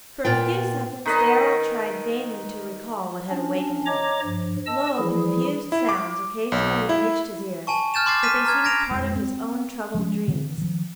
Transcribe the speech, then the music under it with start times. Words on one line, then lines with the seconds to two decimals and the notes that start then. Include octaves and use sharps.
For a few seconds Darrell tried vainly to recall what had awakened him. Low, confused sounds occasionally reached his ears, but they seemed part of his own troubled dreams.
0.25 A#2 B3 F4 G5
1.06 D#3 B4 D#5
3.30 C#4 D4
3.86 C#5 D#5 A#5 D6
4.23 G2 F3
4.66 D#5 A5 E6
4.98 E3 F3 G3 E4 G#4
5.72 E4
5.89 D6
6.52 B1
6.89 E4
7.67 G#5 A5 C#6
7.94 F6 G6 A6 E7
8.06 C6 D6 A6 C7
8.23 F6 B6 D#7
8.45 A#5 F6 G#6
8.64 G#6 A#6 D7 F7
8.90 F2 G#3
9.16 C4
9.95 F3 G#3 C#4
10.28 D3 E3 C4
10.58 D#3 F3